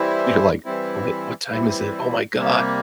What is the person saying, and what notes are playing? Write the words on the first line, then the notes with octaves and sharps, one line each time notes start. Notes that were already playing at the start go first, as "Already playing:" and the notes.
and you're, like, "What what time is it? Oh my god."
Already playing: E3 G3 C4 E4
E3 G3 C4 E4
E3 G3 C4 E4
C3 G3 A#3